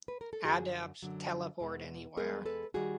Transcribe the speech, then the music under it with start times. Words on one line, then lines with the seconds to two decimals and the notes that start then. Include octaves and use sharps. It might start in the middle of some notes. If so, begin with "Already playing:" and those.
Adepts teleport anywhere.
0.08 B4
0.21 A#4
0.33 A4
0.44 F#2 D3 F#3 F#4 G#4
1.03 F#2 D3 F#3
1.60 E2 B2 G#3 B3
2.17 E2 B2 G#3 B3 G#4 A#4
2.45 A4 B4
2.74 D#3 G3 F#4 G#4